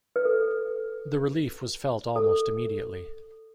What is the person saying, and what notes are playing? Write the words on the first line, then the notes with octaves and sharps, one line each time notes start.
The relief was felt almost immediately.
B4
A4
A4